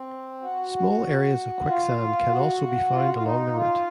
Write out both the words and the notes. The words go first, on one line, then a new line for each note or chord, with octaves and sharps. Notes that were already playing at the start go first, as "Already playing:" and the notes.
Small areas of quicksand can also be found along the route.
Already playing: C4
F#4
F4
F#4
F4
F#4
F4
D#4
F4